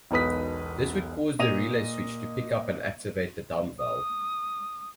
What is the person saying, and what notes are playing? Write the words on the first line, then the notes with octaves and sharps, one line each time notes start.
This would cause the relay switch to pick up and activate the dump valve.
E1 B1 D#4 B4 D#6 B6
A#2 D#5 D#7 F7
D#6